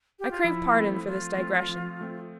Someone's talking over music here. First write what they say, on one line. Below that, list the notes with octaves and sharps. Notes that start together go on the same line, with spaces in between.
I crave pardon for this digression.
G4
F4
F3 E4
A3 C4
F3 F4
A3 C4
F3
A3 C4